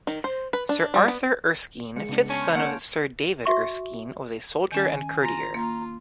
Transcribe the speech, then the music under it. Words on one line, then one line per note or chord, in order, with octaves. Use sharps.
Sir Arthur Erskine, fifth son of Sir David Erskine, was a soldier and courtier.
D#3
C5
B4
D4
G3
B3
G#3 C#7
C#3 B3 D4
C#4 A5 C#6 F6
C6 G6 G#6
A#3 C#4 F#5 G6 D7 F7
F#4 E5 C#6
D#3 C#4 G#5
F4 A#5
A#3 F4 A#5